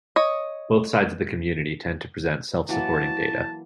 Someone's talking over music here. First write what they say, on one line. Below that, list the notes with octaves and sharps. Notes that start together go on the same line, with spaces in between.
Both sides of the community tend to present self-supporting data.
C#5 D#5
E3 F#3 A#3 A5